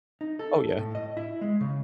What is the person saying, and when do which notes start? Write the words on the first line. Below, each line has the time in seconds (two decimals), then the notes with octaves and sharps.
Oh, yeah.
0.21 D#4
0.39 A4
0.79 A2
0.95 D#5
1.17 E4
1.41 G#3
1.61 C#3